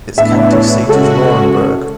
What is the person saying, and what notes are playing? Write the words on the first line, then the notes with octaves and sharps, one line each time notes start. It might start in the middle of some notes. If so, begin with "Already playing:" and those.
Its county seat is Laurinburg.
A2 E3 B3 D4 E5
C#5
C#3 G#3 C#4 F#4 A4